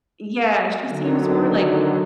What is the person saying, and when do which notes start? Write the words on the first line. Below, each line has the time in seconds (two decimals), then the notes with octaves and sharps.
Yeah, she seems more, like,
0.86 D3 D#3 F#3